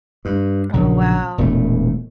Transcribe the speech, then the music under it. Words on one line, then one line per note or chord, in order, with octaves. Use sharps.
Oh, wow.
G2
A#1 C#3
E1 A#2 A3